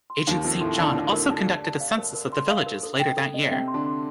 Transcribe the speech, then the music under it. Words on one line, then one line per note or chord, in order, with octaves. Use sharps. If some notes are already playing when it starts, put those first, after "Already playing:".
Agent Saint John also conducted a census of the villages later that year.
C6
D#2 D#3 F5
F2 F3 A5
A2 A3 C6
D3 D4 A5
A#4
A#4
A5
A5
A5
F5
A#4
A#4
C6
F5
A#4
A4
G5
A4
D#5
C3 C4 G5
C6
D3 D4
C6